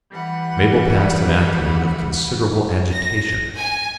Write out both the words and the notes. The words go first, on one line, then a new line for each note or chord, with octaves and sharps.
Mabel passed an afternoon of considerable agitation.
E3 G3 F#5 B5
A#6
G#5